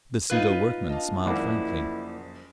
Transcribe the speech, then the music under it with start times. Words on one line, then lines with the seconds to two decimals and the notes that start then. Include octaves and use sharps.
The pseudo-workman smiled frankly.
0.30 D#4 F4 B4 F#6
0.89 D4 D#5 F5
1.26 F#1 F2 A#3 E4 D5 F#5